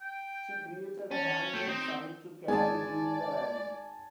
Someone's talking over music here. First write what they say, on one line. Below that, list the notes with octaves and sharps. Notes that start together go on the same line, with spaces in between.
She created a handmade sign to carry during the rally.
G5
C#4 A5
A3 G5
C4 D#4
G#1 G#3 B3 G#4 D5 G#5 A5